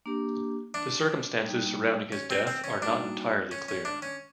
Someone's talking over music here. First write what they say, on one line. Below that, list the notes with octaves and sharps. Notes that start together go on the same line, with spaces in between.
The circumstances surrounding his death are not entirely clear.
A#3 D4 G4
D4
G3 A#3 D#4
C#4
C4
C4
C#4
G3 A#3 D4 D#4 F#4
C#4
C#4
D4
C#4